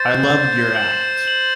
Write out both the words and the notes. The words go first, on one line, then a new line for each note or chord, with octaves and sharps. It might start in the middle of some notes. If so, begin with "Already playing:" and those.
I loved your act.
Already playing: C5 A6
F#7
E7
F#7